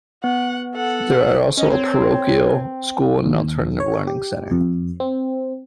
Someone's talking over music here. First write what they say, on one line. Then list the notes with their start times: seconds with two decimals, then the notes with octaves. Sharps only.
There are also a parochial school and an alternative learning center.
0.24 B3 F#5
0.75 A4 F#5
1.58 C#4 D#5
1.71 C4 C#5
3.25 D#2
3.80 C#5
4.07 G4
4.51 F2
5.00 C4